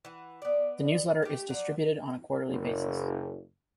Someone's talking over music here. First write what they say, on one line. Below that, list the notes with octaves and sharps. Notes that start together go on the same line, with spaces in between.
The newsletter is distributed on a quarterly basis.
E3 F#5
B3 D5
A3 G4
F3 F#3 D5
F#1